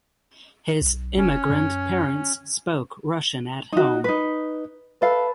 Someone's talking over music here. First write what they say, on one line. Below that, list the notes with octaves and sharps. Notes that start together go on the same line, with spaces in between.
His immigrant parents spoke Russian at home.
B1
F#1 C#4
F#2
D#4 F#4
D#4 B4
A4 B4 F5